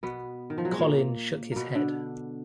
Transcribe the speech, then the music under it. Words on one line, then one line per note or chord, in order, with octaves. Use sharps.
Colin shook his head.
B2 B3
D#3
F3
F#3
G#3
A#2 A#3
B2 A#3 B3
D3 D4